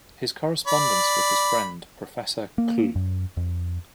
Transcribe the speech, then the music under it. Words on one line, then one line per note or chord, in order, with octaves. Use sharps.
His correspondence with his friend Professor Cl.
D5 B5
A#3
F#2
F2